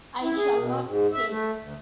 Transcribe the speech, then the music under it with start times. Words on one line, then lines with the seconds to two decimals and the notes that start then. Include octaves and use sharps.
I shall not stay.
0.22 E4
0.36 G#4
0.57 B2
0.85 G#2
1.12 E5
1.28 A3
1.59 D2